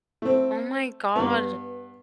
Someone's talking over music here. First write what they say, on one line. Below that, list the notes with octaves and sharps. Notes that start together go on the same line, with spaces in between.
Oh my god,
A3 C4
G2 B3